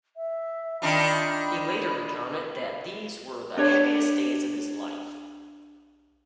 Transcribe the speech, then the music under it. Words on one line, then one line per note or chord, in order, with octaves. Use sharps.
He later recounted that these were the happiest days of his life.
E5
D#3 D4 F4 B5
D4 G4 C#5